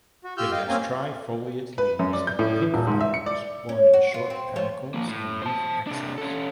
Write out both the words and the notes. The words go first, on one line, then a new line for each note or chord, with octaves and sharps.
It has trifoliate leaves and pink flowers borne in short panicles in leaf axils.
F#4
F4 G4 E6 F6 G6
D#5 F5 G5
A#3 C4 C#4 F5 G#5 A#5
B4
F#2
D5
G6
A2
E3
D#1
G#2
E5
C#7
D5
C#4
F#4
F4
C4
F3 F4 C#5
F3 A#3
A2
C5 A5
C3 D4
C#4 A4